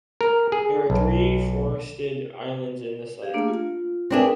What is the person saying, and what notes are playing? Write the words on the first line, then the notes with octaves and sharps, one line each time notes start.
There are three forested islands in the site.
A#4
G#4
B1
G4 G#4 F5
A3 A#3 D4
F4
C4 D4 G#4 A#4 B4 E5